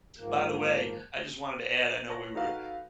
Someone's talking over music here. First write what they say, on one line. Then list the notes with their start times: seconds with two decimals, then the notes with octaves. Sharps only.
By the way, I just wanted to add, I know we were
0.16 G#2 D#3 F3 A#3
2.08 B4 C#5 A5 C#6 A#6
2.35 D#4 F#4 A4 B4 F5